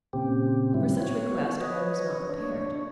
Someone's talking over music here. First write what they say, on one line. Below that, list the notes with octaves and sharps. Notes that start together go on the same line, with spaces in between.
For such a request Mary was not prepared.
A#2 C#3 C4 G4
A2 D#3 F#3 G3 C4 E4
B3 F#4 C#5
B4 C#5 D#5
D4 C#5